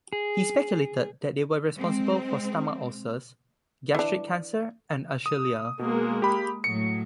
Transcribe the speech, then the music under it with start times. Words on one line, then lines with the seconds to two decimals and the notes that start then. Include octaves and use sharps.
He speculated that they were responsible for stomach ulcers, gastric cancer and achylia.
0.13 G#4
1.77 G#3 C4
3.95 E3 D4
5.26 D#6
5.79 B2 G#3 A#3
6.22 G4 B5
6.64 A2 F#3 C#7